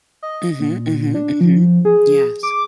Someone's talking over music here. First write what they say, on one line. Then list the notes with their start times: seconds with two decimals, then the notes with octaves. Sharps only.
Mhm, mhm, mhm. Yes.
0.23 D#5
0.60 A#2
1.14 D4
1.41 F3
1.85 G#4
2.43 D6